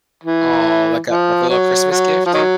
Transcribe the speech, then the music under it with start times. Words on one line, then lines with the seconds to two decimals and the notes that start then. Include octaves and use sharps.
Aw, like a like a little Christmas gift?
0.24 E3
1.08 F3
1.49 F#3
1.91 F#3
2.26 F3
2.34 D#3 F#3